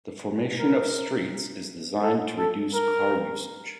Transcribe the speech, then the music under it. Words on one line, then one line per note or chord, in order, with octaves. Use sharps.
The formation of streets is designed to reduce car usage.
A#4
A4
A4
A#4